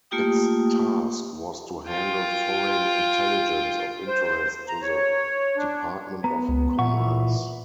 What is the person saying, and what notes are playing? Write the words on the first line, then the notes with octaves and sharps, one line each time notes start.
Its task was to handle foreign intelligence of interest to the Department of Commerce.
A3 A#3 F4 G4 G5 D#6
F4 G5
C5
A#5
C#5
D4
B3 A#5
C#2
A#2 E3 E5 F#5 C#6